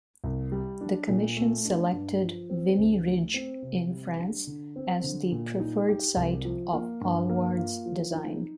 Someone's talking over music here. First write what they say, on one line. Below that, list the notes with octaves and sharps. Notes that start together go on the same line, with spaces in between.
The commission selected Vimy Ridge in France as the preferred site of Allward's design.
C2
G3
D4
A#2
A3
D4
G2
F3
C4
D2
A3
C4
C3
G3
D4
D3
C4
D3
A#2
D#4
G4
C2
F3
A#3
G2
A#3
F4
F3
D#4